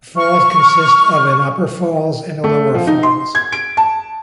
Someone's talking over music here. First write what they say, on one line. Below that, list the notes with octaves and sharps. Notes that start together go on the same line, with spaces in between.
The falls consists of an Upper Falls and a Lower Falls.
C#6 F6
A3
F3
D#4
C6
G#6
D7
A5